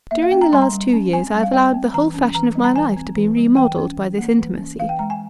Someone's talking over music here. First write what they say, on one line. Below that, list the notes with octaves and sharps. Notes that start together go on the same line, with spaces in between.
During the last two years I have allowed the whole fashion of my life to be remodelled by this intimacy.
A#3 E5
F5
C#4 G5
A#5
G3 C6
A#5
G3
C#4
C4 G#5
G3
F5
G3 G5
C4
E3 A#5
C#4
E3 A#5
G3
A#5
E3 G#5
C4
E3
G3
E3 G5
C#4
E3
A#3
E3
C#4
E3 F5
G5
G#3 A#5
G#5